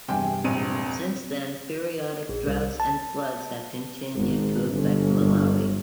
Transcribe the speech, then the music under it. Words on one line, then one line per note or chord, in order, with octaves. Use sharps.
Since then, periodic droughts and floods have continued to affect Malawi.
E2 G2 C3 G5 G#5
E1 A#1 C4 D#7
A#1
C2
A5
G#1
G1